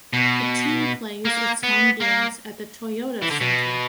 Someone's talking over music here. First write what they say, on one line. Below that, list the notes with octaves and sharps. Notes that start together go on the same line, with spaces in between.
The team plays its home games at the Toyota Center.
B2
A#3
B3
A#3
E3
D3
B2